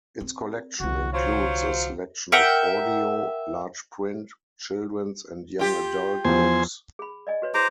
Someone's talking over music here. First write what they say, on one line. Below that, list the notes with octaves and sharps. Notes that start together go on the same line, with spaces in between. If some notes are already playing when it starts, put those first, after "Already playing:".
Its collection includes a selection of audio, large print, children's and young adult books.
C4
C2 D3 F#4
F#3 F4 C5 C#5
A#4 E5 F#5 G5
F4 G4
E2 F3 C5 G#5
G#4 B5
D5 D#5 G#5
F#4 B4 C#5
E4 G#4 C5 A#5 D6